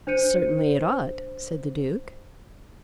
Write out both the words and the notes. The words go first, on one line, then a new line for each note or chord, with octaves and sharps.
"Certainly it ought," said the Duke.
D4 C5 G6 C#7 D#7